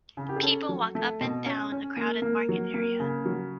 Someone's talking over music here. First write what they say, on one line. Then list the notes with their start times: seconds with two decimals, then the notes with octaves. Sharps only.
People walk up and down a crowded market area.
0.17 C#3
0.29 G4
0.36 G#4
0.43 C#4 A4
0.69 F#3
0.95 A3
1.21 B2
1.46 C#4
1.72 C#4
1.97 A#3
2.22 A#3
2.49 F#3
2.74 A#3
3.00 C#3
3.25 F#3